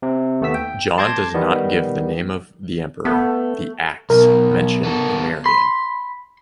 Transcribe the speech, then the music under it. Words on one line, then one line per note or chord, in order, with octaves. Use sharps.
John does not give the name of the emperor; the "Acts" mention Numerian.
C3
D#2 A3 B3 E6 B6
G5
A5 C6 D6 G6 G#6 A#6
D#3 G3 B3
A3 B3
B1 B2 A#4
B3 A4
B5 C6